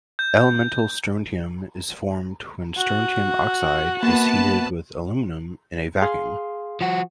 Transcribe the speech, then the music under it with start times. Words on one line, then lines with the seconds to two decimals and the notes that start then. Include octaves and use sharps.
Elemental strontium is formed when strontium oxide is heated with aluminium in a vacuum.
0.19 G6
2.77 F#4
4.03 A#3 B3 B4 F#5 A5
6.02 G#4 F5 C6
6.81 F3 F#4